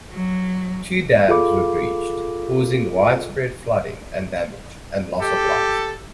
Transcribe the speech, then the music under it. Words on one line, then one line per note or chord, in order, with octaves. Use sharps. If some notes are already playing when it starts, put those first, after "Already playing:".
Two dams were breached, causing widespread flooding and damage, and loss of life.
F#3
F4 G#4 A4 F5 B5 D6
G4 A4